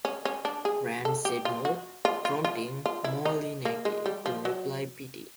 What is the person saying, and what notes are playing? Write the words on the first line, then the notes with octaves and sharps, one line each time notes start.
Rand said no, prompting Moholy-Nagy to reply Pity.
C#4
C#4
D4
G#4
A4
G4
F4
F#4
F4
F4
F4
F4
E4
D#4
A#3
G#3
G3
F3
F#3